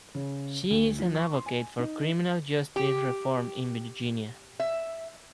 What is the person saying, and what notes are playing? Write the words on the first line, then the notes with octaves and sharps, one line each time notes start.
She is an advocate for criminal justice reform in Virginia.
C#3
D2
F3
C#6
C6
G#5
D#4
G4
E5